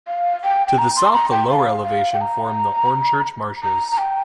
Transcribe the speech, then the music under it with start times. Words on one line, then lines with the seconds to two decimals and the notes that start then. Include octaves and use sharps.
To the south the lower elevation formed the Hornchurch Marshes.
0.07 F5
0.44 G5
0.67 G5
0.78 A#5
0.97 C6
1.14 A#5
1.31 G5
1.50 F5
1.86 F5
2.13 G5
2.21 A#5
3.63 A#5
3.92 A#5
3.98 G5